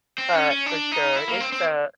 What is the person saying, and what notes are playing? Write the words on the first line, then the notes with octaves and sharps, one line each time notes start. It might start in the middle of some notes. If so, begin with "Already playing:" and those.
but for sure, it's, uh
C4
C#4
C#4
D4
D#4
E4
A#3
C4
C4